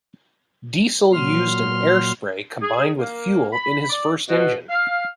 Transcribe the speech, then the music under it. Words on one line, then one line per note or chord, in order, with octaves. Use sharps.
Diesel used an air spray combined with fuel in his first engine.
A#2 F#3 C6 F6
G#4
A#3
B5
D5
B2
F5